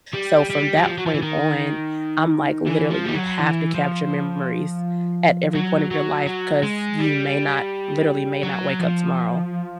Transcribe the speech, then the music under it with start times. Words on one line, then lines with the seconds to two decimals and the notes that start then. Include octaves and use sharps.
so from that point on, I'm like, literally, you have to capture memories at every point of your life, 'cause you may not literally may not wake up tomorrow,
0.14 G3
0.50 G3
0.76 F#3
0.86 F3
0.98 F#3
1.06 F3
1.15 E3
1.23 D#3
2.67 E3
2.90 F3
3.05 G3
3.15 F#3
3.39 E3
3.74 F3
5.55 F#3
5.91 F#3
6.27 F#3
6.63 G#3
6.99 G3
8.43 F#3
8.79 F3